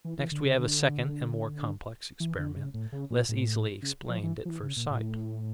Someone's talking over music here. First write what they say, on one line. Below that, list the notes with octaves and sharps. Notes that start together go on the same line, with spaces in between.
Next we have a second and more complex experiment, less easily explained at first sight.
E3
E3
D3
C#3
D3
E3
D3
C#3
A2
C#3
A#2
A2
C#3
F3
E3
F3
E3
C#3
A#2
A2